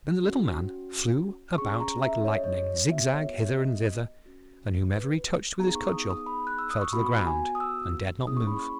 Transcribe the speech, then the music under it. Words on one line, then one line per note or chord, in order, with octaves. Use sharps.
Then the Little Man flew about like lightning, zig-zag, hither and thither, and whomever he touched with his cudgel fell to the ground, and dared not move.
C#4 F#4
C#4 G#4 C#6
A#5
E5
C#5
D#5
C#5
B3 F#4 E5
C#5
E5
D#5
C#4 F#4
B4
B3 D#4 G#4 A#5
C#6
D#6
D#6
B5
F#6
E6
D#6
C#6
B3 F#4 B5
G#5
D#6
E6
A#3 C#4 E4 G#4 D#6
C#6
B5
C#6